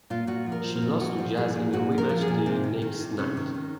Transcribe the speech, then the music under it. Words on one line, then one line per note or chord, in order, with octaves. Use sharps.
She lost to Jazz in a rematch the next night.
A#2 F4
A#2 F#4
F3
A#4
F3
A#4
A#2
A#2 F#4
F3
F3 G#4
A#2
A#2 F#4
F3
A#4
F3
G#4
A#2
C3
D#3
D#3
C3
C3 C#4
D#3
D#3